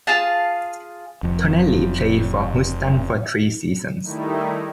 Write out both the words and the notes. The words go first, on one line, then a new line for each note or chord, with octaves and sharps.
Tonelli played for Houston for three seasons.
F4 G#4 F5 A5
F1 F2
D#3 G3 A3 D#4 E4